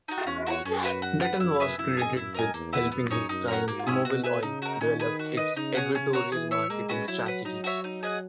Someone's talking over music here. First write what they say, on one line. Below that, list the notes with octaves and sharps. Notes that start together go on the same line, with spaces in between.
Dutton was credited with helping his client Mobil Oil develop its "advertorial" marketing strategy.
D#4 F#4
E2 C#4
F#4 A#4 C#5
F#2 C#4
F#4 B4
F#4
B4 F#5
F#2 E4
G#4 B4 E5
F#2 E4
G#4 D#5 G#5
F#2 E4
A#4 D#5 G#5
E2 A#3
E4 B4 F#5
F#2 B3
D#4 G#4 C#5
F#2 D#4
A#4 C#5 F#5
G#2 A#3
C#4 E4 G#4
B2 F#4
B4 E5 G#5
C#3 D#4
F#4 A#4
D#3 C#4
G#4 B4
F#4
B4 D#5
C#3 D#4
G#4 C#5 F#5
C#4
F#4 A#4 C#5
E3 G#4
C#5 E5
G#3 A#3
C#4 F#4 B4
F#3 E4
B4 F#5
F#3 D#4
F#4 C#5 E5
D#4
G#4 D#5 F#5